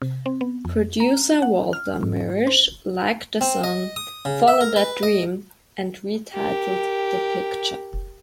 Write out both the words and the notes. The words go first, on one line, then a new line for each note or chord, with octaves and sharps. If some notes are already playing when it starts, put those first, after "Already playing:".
Producer Walter Mirisch liked the song "Follow that Dream" and retitled the picture.
C3
C4
B3
F2
A#5
F#5
F6
G#2
C5
C4
D#5
D#6
C#3
E5
A#4
B4
D#5
G4 A#4